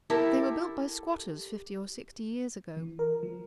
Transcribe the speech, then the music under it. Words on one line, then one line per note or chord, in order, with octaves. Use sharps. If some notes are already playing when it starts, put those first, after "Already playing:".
'They were built by squatters fifty or sixty years ago.
E4 G4 A4 A#4 A5
E3
A#4
F3